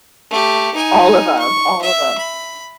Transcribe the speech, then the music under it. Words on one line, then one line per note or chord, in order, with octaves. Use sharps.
All of 'em, all of 'em.
A3 G4
D#4 G#5
C#6
E5 E6
B5